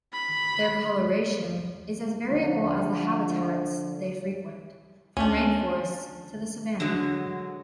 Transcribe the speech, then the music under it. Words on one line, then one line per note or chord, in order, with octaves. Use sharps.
Their colouration is as variable as the habitats they frequent; from rainforest to savannah.
B5
D3 F3
D2 C#4 D4
D3 F#3 G#3